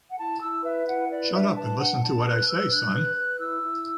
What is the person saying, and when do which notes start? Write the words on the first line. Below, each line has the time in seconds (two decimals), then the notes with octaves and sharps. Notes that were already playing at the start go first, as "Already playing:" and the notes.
Shut up and listen to what I say,son.
0.10 F#5
0.18 E4 A5
0.41 E4 E6
0.64 B4 E5
0.87 E4 F#5
1.10 B4 D5
1.33 D4 E5
1.55 B4 A5
1.79 D4 F#5
2.01 D4 A5
2.25 B4 F#6
2.47 B4 E6
2.70 D4 F#6
2.93 B4
3.17 B4
3.39 E4 E6
3.62 E4